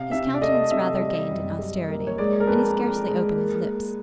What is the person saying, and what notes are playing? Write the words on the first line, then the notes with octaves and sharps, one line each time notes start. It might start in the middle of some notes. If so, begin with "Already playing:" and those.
His countenance rather gained in austerity; and he scarcely opened his lips.
Already playing: C3 F5
C3 E5
D5
A3 D#5
C3 E5
G3 D#5
F#2
G3
A#3
C#5
G#3 D5
A#4
F2 B4
F2
G#3
A#3
A#3